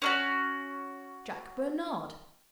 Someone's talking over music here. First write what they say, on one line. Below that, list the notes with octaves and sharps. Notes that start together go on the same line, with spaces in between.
Jack Bernard!
C#4 D4 F#4